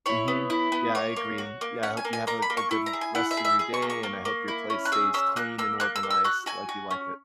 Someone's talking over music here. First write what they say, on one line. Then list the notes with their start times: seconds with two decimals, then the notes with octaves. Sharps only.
Mhm. Yeah, I agree. Yeah, I hope you have a g a good v rest of your day, and I hope your place stays clean and organized like you like it.
0.06 E4 C#5
0.28 B3
0.50 E4
0.72 B3
0.95 A#3 C#5
1.16 A#3
1.38 F#4
1.61 A#3
1.83 C#4 F#5
1.97 G#5
2.05 A#3
2.13 G#5
2.27 A#3 A#5
2.42 B5
2.50 A#3
2.57 C#6
2.71 E4 C#6
2.86 A#5
2.93 G#4
3.01 G#5
3.15 E4 F#5
3.31 E5
3.37 G#4
3.45 E5
3.59 G#4
3.74 C#6
3.82 A#3
3.90 C#6
4.03 A#3
4.25 A#3
4.48 E4
4.70 C#4
4.85 F#6
4.92 G#4 E6
5.14 C#4 E6
5.36 A#3 F#6
5.58 A#3 E6
5.80 A#3 F#6
5.96 E6
6.03 A#3
6.10 E6
6.24 F#4 F#6
6.46 F#4 G#5
6.69 F#4
6.91 C#4